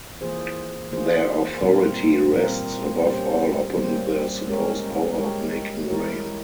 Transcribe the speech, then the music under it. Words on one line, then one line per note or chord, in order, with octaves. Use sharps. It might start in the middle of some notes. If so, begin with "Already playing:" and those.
Their authority rests above all upon their supposed power of making rain.
E3 A#3 F4 G#4 C5
E3 A#3 F4 G#4 C5
A#2 G3 C4 F4 A#4
A#2 G3 C4 F4 A#4
G3 A#3 C#4 G4 C5
G3 A#3 C#4 G4 C5
G#3 C#4 G4 A#4 C#5
G#3 C#4 G4 A#4 C#5
E3 G#3 E4 A#4 C#5